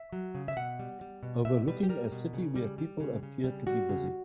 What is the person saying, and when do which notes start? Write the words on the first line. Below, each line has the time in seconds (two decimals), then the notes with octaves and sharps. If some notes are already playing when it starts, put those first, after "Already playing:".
Overlooking a city where people appear to be busy.
Already playing: E5
0.13 F#3
0.35 C#3
0.48 E5
0.57 B2 F#5
0.79 G3
1.01 G3
1.23 B2
1.45 B2 E5
1.67 G3 B4
1.83 G4
1.89 G3 A#4
2.12 B2
2.33 C#3
2.56 G3
2.78 G3
3.00 C#3
3.23 C#3
3.44 G3
3.67 G3 F#4
3.89 C#3